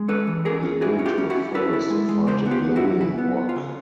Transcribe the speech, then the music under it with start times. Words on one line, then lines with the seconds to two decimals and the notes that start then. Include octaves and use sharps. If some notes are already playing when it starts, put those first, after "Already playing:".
They go to a forest and find a glowing rock.
Already playing: G#3
0.08 C#4 A4 B4
0.27 E3
0.45 C#4 G#4 A#4
0.63 C#4
0.81 E4 F#4 G#4
0.99 C#4
1.06 F4 G4
1.18 C#4
1.30 E4 F#4
1.36 C#4
1.54 E4 A4 B4
1.73 E4
1.90 G#3
2.09 G#3
2.27 C#3 A#4 C5
2.46 B3
2.51 F4 G4
2.64 B3
2.76 E4 F#4
2.83 F#3
3.01 C#3 E4
3.18 B3
3.37 B3
3.49 F4
3.56 C#3